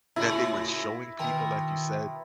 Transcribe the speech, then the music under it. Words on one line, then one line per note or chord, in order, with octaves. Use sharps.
that they were showing people, like you said,
A2 C#3 E4 F#4 A#6
B2 D#3 A#4 G5 A5 C6